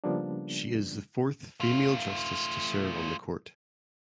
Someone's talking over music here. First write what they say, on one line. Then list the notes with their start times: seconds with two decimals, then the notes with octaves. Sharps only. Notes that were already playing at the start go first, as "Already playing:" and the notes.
She is the fourth female justice to serve on the court.
0.04 C#3 F3 G3 A#3 B3 D4
1.60 A3 F4